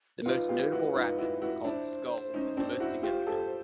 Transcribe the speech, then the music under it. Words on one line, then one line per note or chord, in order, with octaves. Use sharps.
The most notable rapid, called "Skull", is the most significant.
A#4
D#4 F4 B4
F4 G4
E4 F#4
D#4 F4
E4 F#4
E4 F#4
D4 E4 C5
C#4 D#4
C4 D4
E4 F#4
F4 G4
G4 A4